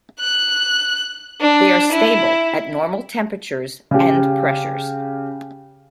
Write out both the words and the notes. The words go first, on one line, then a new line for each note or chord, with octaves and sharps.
They are stable at normal temperatures and pressures.
F#6
D4
E4
C#3 G4